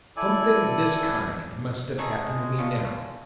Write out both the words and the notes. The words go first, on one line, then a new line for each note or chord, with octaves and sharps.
Something of this kind must have happened to me now.
E4 A4 D5 G#5
G#3 A3 D#4 G#4
D3 C#4 F4